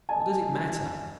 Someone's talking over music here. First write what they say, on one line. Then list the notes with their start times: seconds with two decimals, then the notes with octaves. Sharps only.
What does it matter?
0.09 D#5 G#5 A5